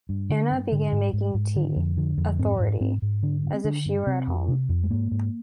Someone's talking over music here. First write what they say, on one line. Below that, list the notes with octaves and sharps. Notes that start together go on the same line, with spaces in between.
Anna began making tea, authority, as if she were at home.
G2
D3
G2
G#2 D3
G#2
G#2
G#2
D3 D#3
F2
D3 F3
F2
G#2 C4
G#2
G#2 C4
G#2
D3 D4
G2
C4
D3 D4
G2
C3 C4
F2
C3
F2
G#3
G#2 A#3
G#2